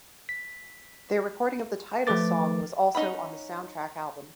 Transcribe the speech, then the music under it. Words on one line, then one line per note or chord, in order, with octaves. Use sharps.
Their recording of the title song was also on the soundtrack album.
B6
F3 A3 A4 B4 D6 A6
C#4 D#4 F#5 B5